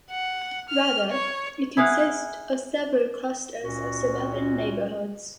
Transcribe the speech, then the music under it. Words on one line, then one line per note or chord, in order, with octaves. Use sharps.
Rather, it consists of several clusters of suburban neighborhoods.
F#5
F6
C#5
E4 G#4 F5 F#5
C#2 A#2 C#4 F#4